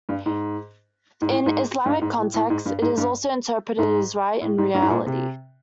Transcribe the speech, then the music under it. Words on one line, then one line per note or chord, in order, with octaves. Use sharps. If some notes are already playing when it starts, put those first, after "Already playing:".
In Islamic contexts, it is also interpreted as right and reality.
G2
G#2
G#2
A2
G#2
G2
G#2
A2
A2
G#2
G2
G#2
G2
G#2
A2
G#2
G2
G#2
A#2
C3